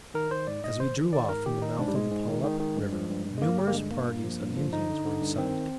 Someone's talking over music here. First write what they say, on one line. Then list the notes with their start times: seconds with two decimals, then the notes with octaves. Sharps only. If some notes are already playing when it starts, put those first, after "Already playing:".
As we drew off from the mouth of the Puyallup River, numerous parties of Indians were in sight.
0.14 D#3 A#4
0.31 D#3 C5
0.47 G#2 D5
0.64 G#2 D#5
0.80 D#3 C5
0.97 D#3
1.13 D#3 D5
1.29 G#2 A#4
1.46 D#3 G4
1.62 D#3 D#4
1.78 G#2 D4
1.88 G3
1.94 G#2 G#3
2.11 G#2
2.28 D#3
2.44 D#3
2.60 D#3
2.77 G2
2.93 F3
3.09 G2
3.25 G2
3.38 G#3
3.42 G2 A#3
3.58 D3 G4
3.67 A#3
3.74 G2 G#3
3.91 G2 A#3
4.08 G2
4.24 F3
4.40 G2
4.57 F3
4.73 D3 D#4
4.89 D3
5.05 D3
5.22 G2
5.38 D#3 C4